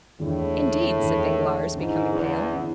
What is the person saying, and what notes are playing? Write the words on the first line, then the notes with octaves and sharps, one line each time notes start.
"Indeed?" said Danglars, becoming pale.
E2 A2 D3 G#3
E2 D3 G#3
G#2 D3 G#3 C#4 E4
E2
D3 G#3 C#4 E4